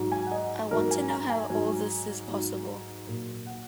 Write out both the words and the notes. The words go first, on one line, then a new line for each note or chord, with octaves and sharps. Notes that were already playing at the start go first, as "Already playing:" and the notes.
I want to know how all this is possible.
Already playing: G#2 F#3
G#5
F#5
D#5
G#2 F#3 A#4
G#5
A#5
G#5
G#2 F#3
G#2 F#3
A#2 F#3
F#5